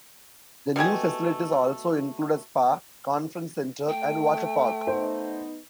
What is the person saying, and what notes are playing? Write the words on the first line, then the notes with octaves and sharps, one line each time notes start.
The new facilities also include a spa, conference center and water park.
B2 A3 G4 G#5
A3 G5
B3 D#4 C5